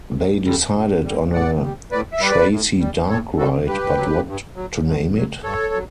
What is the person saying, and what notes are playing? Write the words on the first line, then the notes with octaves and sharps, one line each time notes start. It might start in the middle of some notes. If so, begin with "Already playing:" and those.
They decided on a Tracy dark ride, but what to name it?
F#2
D3 G3
F#2
D3 G3
A2 D5 F#5
G3
A2 B4 D5
E5
G3 B4 D5
A2
G3
A2 A4 C#5
G3 F#4 A4
G2 G4 B4
F#3
G2
F#3
G2
F#3
G2 A4 C#5
F#3